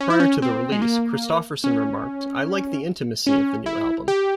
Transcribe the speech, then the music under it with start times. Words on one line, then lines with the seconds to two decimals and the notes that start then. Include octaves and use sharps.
Prior to the release, Kristofferson remarked: I like the intimacy of the new album.
0.01 C#4
0.10 E4
0.20 C#4
0.42 C4
0.72 G#3
0.82 A#3
1.64 C#4
3.27 C#4
3.66 E4
4.08 G4